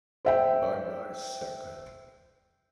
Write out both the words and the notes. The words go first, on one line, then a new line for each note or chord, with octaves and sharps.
Bye-bye, sucker!
C5 E5 G5